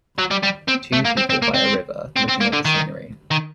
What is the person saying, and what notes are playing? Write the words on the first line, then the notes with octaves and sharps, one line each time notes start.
Two people by a river looking at the scenery.
F#3
G3
G3
C4
A3
A#3
C4
C4
A#3
C4
C4
C4
A#3
D3
D#3
D#3